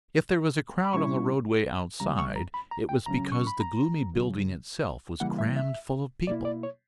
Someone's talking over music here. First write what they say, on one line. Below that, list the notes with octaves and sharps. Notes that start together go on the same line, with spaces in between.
If there was a crowd on the roadway outside, it was because the gloomy building itself was crammed full of people.
B5
A#2 G3 C#4 E4 C#6
C#2 C#3 G3 A#5
C#6
A#5
B5
A#5
G5
C#2 C#3 F#3 C#4 A#5
C#6
B5
A#5
C#2 C#3 F#3
C#3 E3 G3 A#3 E4 F#5
E5
E5
B2 A#3 E4 D5
D5
C#5